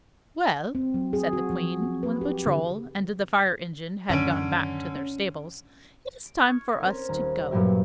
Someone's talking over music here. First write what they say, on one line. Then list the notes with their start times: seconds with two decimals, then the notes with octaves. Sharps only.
"Well," said the Queen, when the Patrol and the Fire Engine had gone back to their stables, "it is time for us to go."
0.75 C4
0.94 F#3
1.13 G#4
1.33 F#4
1.50 F3
1.83 C4
2.03 B4
2.21 G4
2.47 D3
4.09 F#2 A2 D3 D#3 C#4 D7
4.96 C#4
6.25 D7
6.44 C#6 F6 G#6
6.80 C4 C#4 A#4
7.09 D#1 A#5
7.51 G2 A#2 F#3 G4 A#4 E5